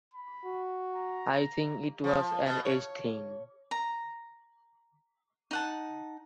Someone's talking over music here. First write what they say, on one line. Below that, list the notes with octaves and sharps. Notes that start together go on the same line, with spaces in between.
I think it was an age thing.
B5
F#4
A#5
F3
B2
C#5
A#5
D#4 F#5 A5